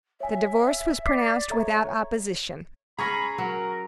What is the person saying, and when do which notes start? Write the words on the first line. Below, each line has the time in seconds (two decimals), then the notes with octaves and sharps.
The divorce was pronounced without opposition.
0.20 C#5 E5 G#5
1.06 D5 D6 B6 C7
1.50 A4 C#5 E5 A#5
2.98 C#4 G#4 A#5 B5 C#6 A#6
3.38 F#3 A#4